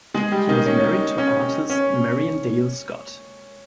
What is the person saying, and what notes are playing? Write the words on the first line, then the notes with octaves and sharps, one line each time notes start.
He was married to artist Marian Dale Scott.
G#3 G#4
G3 G4
D#3 D#4
C#4
D#3 D#4
C#4
C#4